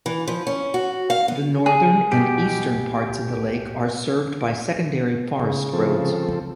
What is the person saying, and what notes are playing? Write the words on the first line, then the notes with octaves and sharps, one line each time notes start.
The northern and eastern parts of the lake are served by secondary forest roads.
E3
F3
C#4
F#4
F5
B3
G#4
B2 G4
C#3
F3 C4 A4